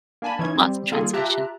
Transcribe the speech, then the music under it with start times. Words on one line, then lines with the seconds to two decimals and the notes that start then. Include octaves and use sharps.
lots of translation.
0.22 A#3 D4 G#5 A5 B5
0.39 E3 C#4 D#4 G#6
0.56 G3 C4
0.91 D#3 G3 A#3 F4 G#4 A4
1.13 F4 G4 E5 A5 A#5 F#6